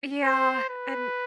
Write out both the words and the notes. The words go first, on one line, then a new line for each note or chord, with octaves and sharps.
Yeah, and,
C5
B4